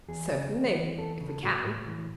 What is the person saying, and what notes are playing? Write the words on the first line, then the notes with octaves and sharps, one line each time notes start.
"Certainly--if we can."
E2 G#4
C#3
E2
E3
E2 A4
C#3
A4
A2 F#4
A2
E3